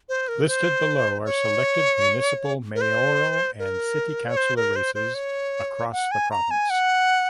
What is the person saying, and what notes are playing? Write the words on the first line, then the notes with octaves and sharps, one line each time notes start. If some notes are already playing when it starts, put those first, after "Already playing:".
Listed below are selected municipal mayoral and city councillor races across the province.
C5
A#4
C5
C#5
A#4
C5
A#4
C#5
C5
A#4
C5
C5
C#5
F#5
G#5
A#5
G#5
F#5